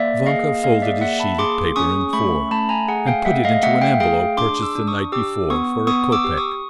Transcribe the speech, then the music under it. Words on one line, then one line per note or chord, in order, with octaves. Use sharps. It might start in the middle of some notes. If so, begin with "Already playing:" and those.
Vanka folded his sheet of paper in four, and put it into an envelope purchased the night before for a kopek.
Already playing: A#3 D5 E5
G#4 D#5 F5
A#3 D#5 F5
D5 E5
A#3 E5 F#5
A5 B5
G#4 C6 D6
C#4 C#6 D#6
A3 B5 C#6
A3 A5 B5
G#5 A#5
G#4 F#5 G#5
F5 G5
A3 E5 F#5
D#5 F5
A3 E5 F#5
F5 G5
G#4 F5 G5
D4 C6 D6
D6 E6
D4
C#6 D#6
G4 D6 E6
B3 C#6 D#6
B3 C#6 D#6
D6 E6
G4
C#6 D#6